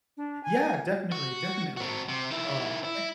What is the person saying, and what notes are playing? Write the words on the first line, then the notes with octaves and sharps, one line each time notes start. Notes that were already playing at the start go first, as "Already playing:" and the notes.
Yeah, definitely, definitely, um, a
D4
G#5
F#4
C4 F#4
C3
D#3 E4
E4